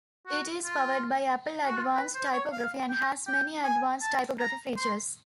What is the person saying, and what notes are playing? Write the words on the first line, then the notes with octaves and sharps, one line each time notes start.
It is powered by Apple Advanced Typography and has many advanced typography features.
F#4
F4
F#4
F4
B4
C5
C#5
F5
G5
G5
G#5
A5
A#5
C6